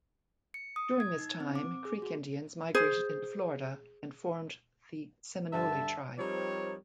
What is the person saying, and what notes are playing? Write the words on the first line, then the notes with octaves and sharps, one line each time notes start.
During this time, Creek Indians migrated into Florida and formed the Seminole tribe.
C#7
D#6
G#6
D#4
C4
D6
G#4
F#4
G#4 C5
G2 D3 E5 A5
F3 G3 C4 D#4 A#4 C#5